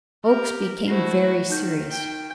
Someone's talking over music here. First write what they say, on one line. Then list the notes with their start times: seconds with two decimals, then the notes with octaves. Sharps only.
Oakes became very serious.
0.25 G4 A#4
0.88 A3 E4 F#4 C5 A#6 C7
1.50 D#3 D#4 G6
1.91 G5